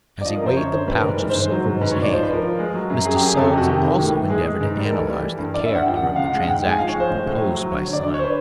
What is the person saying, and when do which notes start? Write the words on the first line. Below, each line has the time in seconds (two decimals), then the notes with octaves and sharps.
As he weighed the pouch of silver in his hand, Mr. Suggs also endeavored to analyze the character of the transaction proposed by Simon.
0.21 D5
0.25 F3 D#5
0.36 A#4
0.42 F#2 C5
0.57 F#2 C#5
0.73 D3 C5
0.87 G3 B4
0.98 A#4
1.03 G#2
1.08 B4
1.19 E3 B4
1.29 C5
1.35 G#2
1.40 C5
1.51 F#3
1.66 G#2
1.81 G#2 B4
1.91 C#5
1.97 G#2
2.02 D5
2.12 F3 C5
2.23 B4
2.28 F3 A#4
2.43 F3
2.59 G#3
2.74 F#3
2.90 F#2
3.05 F#3 G#4
3.16 G4
3.22 F#2 G#4
3.37 F2 A4
3.47 G4
3.52 C3
3.57 F#4
3.68 D#3 G4
3.84 D#3
3.99 A2
4.15 E3
4.30 G#3 G#4
4.46 G#3
4.61 G#2
4.77 G3
4.84 A#4
4.92 E3 A4
5.08 G3
5.23 E3
5.38 G2
5.54 G2 D5
5.65 E5
5.70 G2 F#5
5.86 F3 G5
5.95 F#5
6.01 C#3
6.07 F#5
6.16 C#2 F5
6.25 F#5
6.33 G#3
6.42 F#5
6.48 G#2 G5
6.58 G5
6.64 G#3 G#5
6.78 F3 F5
6.89 C#5
6.94 G#3
7.00 C5
7.10 A2
7.26 A2
7.41 F#3
7.57 F#3
7.72 D3 C#5
7.88 D3
7.93 D5
8.03 D3 D5
8.14 C#5
8.19 C5
8.24 B4